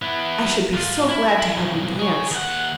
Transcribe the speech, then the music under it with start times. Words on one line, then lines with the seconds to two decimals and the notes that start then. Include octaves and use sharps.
I should be so glad to have you dance.
0.02 B3 E4
0.73 G#2 F4
1.09 E4
1.57 B1 G2
1.99 G#4 C#5
2.31 D#2 F#5